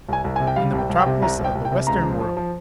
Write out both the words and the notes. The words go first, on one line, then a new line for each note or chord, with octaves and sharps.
In the metropolis of the western world!
C2 G#5
C2
C3 G#5
G5
G3 F5
C2 G5
C2
F5
G5
C3
C2 A#5
C2
G5
C2
G5
C3
C#2 A#5
F3
F3
F3